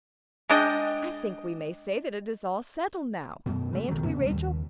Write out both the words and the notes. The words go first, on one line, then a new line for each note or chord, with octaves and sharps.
I think we may say that it is all settled now;--mayn't we, Rachel?
G#3 D4 D#5 G5
F#2 B2
C#3 A3
B1 D#3 F#3
F2 C#3 B3
C2 F3 G3
D#2